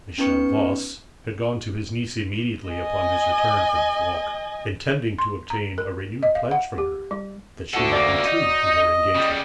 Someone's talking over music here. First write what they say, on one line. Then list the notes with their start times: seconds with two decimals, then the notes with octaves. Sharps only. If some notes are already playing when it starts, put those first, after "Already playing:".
Michel Voss had gone to his niece immediately upon his return from his walk, intending to obtain a renewed pledge from her that she would be true to her engagement.
0.18 B3 C#4 D#4 B4 C#6 C#7
2.69 D#5 G#5
5.19 C6
5.50 A#5
5.78 A#4
6.23 D#5
6.35 F5
6.51 F#5
6.78 G4
7.11 G3
7.74 D2 D4 F#4 A4 F#5
7.92 D3 A#3 D5 D6
8.25 D#4
8.41 D#5
9.15 C#3 G3